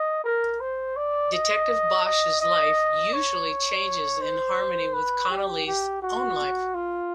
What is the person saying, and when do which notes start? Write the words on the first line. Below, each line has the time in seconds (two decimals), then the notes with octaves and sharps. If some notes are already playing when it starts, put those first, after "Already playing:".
Detective Bosch's life usually changes in harmony with Connelly's own life.
Already playing: D#5
0.24 A#4
0.60 C5
0.97 D5
1.33 D#5
2.05 D#5
2.41 D#5
3.13 C#5
4.22 C5
4.94 B4
5.30 G4
5.67 G4
6.02 F#4
6.74 F4